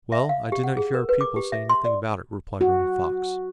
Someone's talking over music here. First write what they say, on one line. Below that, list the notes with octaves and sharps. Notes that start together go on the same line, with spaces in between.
"Well, I did not hear our people say anything about it," replied Running Fox.
E5
F5
G4
F#5
G#4
A#4
B4
D6
G4
E5
C6
D5
F#4